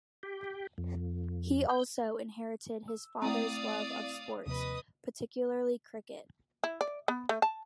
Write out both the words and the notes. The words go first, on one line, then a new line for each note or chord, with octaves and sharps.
He also inherited his father's love of sports, particularly cricket.
G4
F2
G6
E6
A3 C4 E4 D5 F5 A#5 D#6
D#2 C3 F3 B4 D#5 D#6
E4
D5
B3
A3
A5